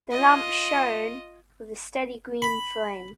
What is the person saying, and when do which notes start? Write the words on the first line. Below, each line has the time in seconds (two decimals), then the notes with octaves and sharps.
The lamp shone with a steady green flame.
0.11 F4 D#5
2.42 B5